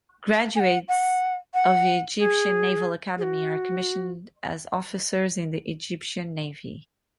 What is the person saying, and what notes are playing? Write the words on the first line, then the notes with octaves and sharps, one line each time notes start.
Graduates of the Egyptian Naval Academy are commissioned as officers in the Egyptian Navy.
G#5
F#5
F#5
F#5
G#4
G#4
F#4